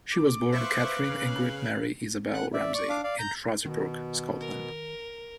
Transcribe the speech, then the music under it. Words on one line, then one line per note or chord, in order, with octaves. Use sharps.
She was born Katharine Ingrid Mary Isabel Ramsay in Fraserburgh, Scotland.
D6
B4 C5 E5 F5 C#6 F#6
C#3
F#5 F#6
D5 E5
D5 C#6
D4 F5 D6
D5 F5
A#5 G6
B2 D#3
A#4